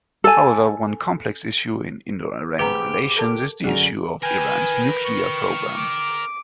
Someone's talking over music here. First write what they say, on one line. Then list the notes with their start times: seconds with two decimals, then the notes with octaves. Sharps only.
However, one complex issue in Indo-Iran relations is the issue of Iran's nuclear programme.
0.24 A4 G#5
2.59 G#2 G4 B4 A#5 B5
3.17 A4 A#4 A5
3.64 F#2 D3 G#4 A#5
4.23 A#4 B4 G5 G#5
5.05 C#6
5.74 D6